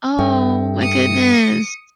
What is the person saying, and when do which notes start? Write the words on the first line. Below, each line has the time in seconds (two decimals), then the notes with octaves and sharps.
Oh my goodness.
0.19 G2 A4 E5 G5
0.81 D#6 C#7